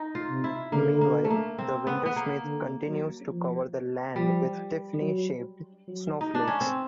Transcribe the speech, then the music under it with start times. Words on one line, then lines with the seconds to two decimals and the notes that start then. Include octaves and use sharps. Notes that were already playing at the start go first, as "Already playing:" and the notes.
Meanwhile, the Wintersmith continues to cover the land with Tiffany-shaped snowflakes.
Already playing: D#4
0.15 F4
0.29 C3
0.44 E4
0.72 D3 A#3
1.01 A#3
1.24 A3
1.30 A#3
1.58 C4
1.87 B3
2.05 B3
2.16 A#3
2.45 D3
2.87 F#3
3.30 F3
4.16 F3 G3
5.01 F#3
5.88 F#3
6.21 D#4
6.35 D4
6.47 C#4
6.61 C4